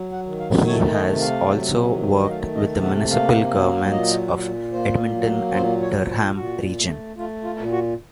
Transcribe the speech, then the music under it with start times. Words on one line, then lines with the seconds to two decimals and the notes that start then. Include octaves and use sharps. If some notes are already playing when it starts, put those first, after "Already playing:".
He has also worked with the municipal governments of Edmonton and Durham Region.
Already playing: F#3
0.12 F#5
0.26 D#3
0.40 F5
0.66 A3 C#5
0.94 D#5
1.07 C3
1.20 F5
1.48 F#3
1.89 D#3
2.24 D#5
2.29 A3 F5
2.56 D#5
2.70 C3
2.84 F#5
3.10 A#3 F5
3.52 F#3
3.91 A#2 D#5
4.33 A#2
4.73 A#3 C5
5.14 F#3
5.54 A#2 C5
5.81 C#5
5.95 A#2
6.08 C5
6.35 A#2 F#4
6.77 A3
7.17 A3 F4
7.43 F4
7.57 A#2
7.71 F#4